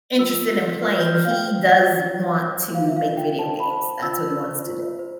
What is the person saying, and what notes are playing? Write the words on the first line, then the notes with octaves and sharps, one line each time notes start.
interested in playing. He does want to make video games. That's what he wants to do,
F4 E6
F4
F4 F6
G6
G6
F4 F6
F5
G5
C5
F4
F4
C5
F4 F5
E5
F5
F4
G5
C5 A5
B5
C5
F4 E6
C5
F4
C5